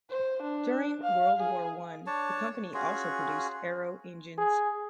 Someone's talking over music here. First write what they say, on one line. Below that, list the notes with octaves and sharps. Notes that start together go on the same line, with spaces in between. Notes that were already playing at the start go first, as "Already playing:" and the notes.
During World War One the company also produced aero engines.
C5
D4
F5
G#4
D4 C#5 A5
C#4 F4 F#4 G#4
G#4